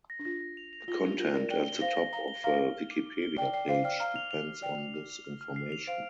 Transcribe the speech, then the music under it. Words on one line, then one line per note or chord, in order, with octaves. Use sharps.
The content at the top of a Wikipedia page depends on this information.
A#6
D4
F4 A#6
A#6
F7
F7
F4 G7
D4 G4 A#6
F4 A#4 A#6
A#4 D5 A#6
D5 G5 G7
G7
C5 F5 A#6
A#6
F5 A#5 G7
G7
F5 A#5 F6
A#6
F6
D6
D6
G7
D5 G5 C7
D5 G5 C7
C5 F5 C7
D5 G5 F6
F5 A#5 F6
F7
F7
F6
D5 G5 F6
F6
F6
F7
F6
F6
C7
F7
C5 F5 D7